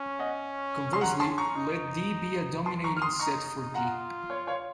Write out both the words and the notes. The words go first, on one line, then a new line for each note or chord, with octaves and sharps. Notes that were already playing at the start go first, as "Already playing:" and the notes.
Conversely, let "D" be a dominating set for "G".
Already playing: C#4
D#5 F#5
C6
C#4 F#5 A#5
A5 C6
A#5 C#6
D#4
A5 C6
A#5 C#6
F6
C6 D#6
D#4 A#5 C#6
F4 F#5 A#5
C#5
C#5 F5